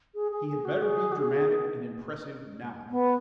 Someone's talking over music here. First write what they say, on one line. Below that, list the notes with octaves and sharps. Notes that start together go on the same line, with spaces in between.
He had better be dramatic and impressive now.
G#4
G#4
G#4
F#4
G#4
F#4
G#4
B3